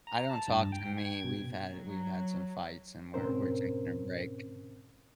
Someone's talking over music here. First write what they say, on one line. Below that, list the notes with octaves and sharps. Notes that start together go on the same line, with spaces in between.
I don't talk to me, we've had we've had some fights and we're we're taking a break.
A#5
A5
G2
G5
G#6
B2
F#3
G#2 B2 C4 C#4 A#4 C5